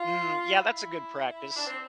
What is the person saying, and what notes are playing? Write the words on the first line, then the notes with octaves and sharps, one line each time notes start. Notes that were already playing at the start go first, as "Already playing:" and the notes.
Mm, yeah, that's a good practice.
Already playing: F4
E4
D4
C4